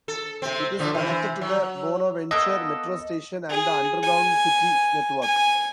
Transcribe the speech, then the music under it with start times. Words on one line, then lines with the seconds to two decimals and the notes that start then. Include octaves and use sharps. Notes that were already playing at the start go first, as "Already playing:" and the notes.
It is connected to the Bonaventure metro station and the underground city network.
0.08 A4
0.42 C3 C4
0.79 A2 D3 F3
0.95 C3 E3
1.41 F#3
2.31 A#3 B3 A4 D#5
3.50 G#4
4.02 G#5
5.22 G#5